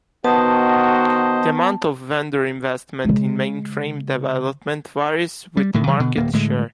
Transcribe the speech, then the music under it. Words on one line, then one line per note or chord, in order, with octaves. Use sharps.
The amount of vendor investment in mainframe development varies with market share.
D#3 B3 F#4 C5 D#5 A5
C#3 G#3
G3
A2 D3 D#3
C#3 E3 F#3 G3
B2 D3
D1 A#3
A2 D3 G#3